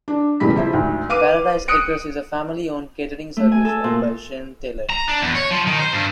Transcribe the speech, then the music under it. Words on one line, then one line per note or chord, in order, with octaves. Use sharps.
Paradise Acres is a family owned catering service owned by Shane Taylor.
D4
E1 E2 C#3 G3 B5 B6
F3 E4 C5
D2 G#2
B4 F5 D6 D#7
D#6 F#6 C#7 D7
A3
G#5
A4
A#2
A#5
D4
E2
C#5
F3
D#3
C5
G2